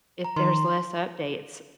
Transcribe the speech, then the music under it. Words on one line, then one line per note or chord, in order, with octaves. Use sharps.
if there's less updates,
A#5
D#3 C6